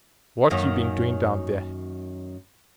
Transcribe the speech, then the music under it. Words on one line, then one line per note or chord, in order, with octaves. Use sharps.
"What you been doing down there?"
F#2 D#3 A#3